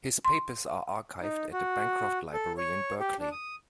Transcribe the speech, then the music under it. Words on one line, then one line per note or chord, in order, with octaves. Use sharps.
His papers are archived at the Bancroft Library in Berkeley.
C6
D#4
F#4
A4
C#5
G4
D4
D#6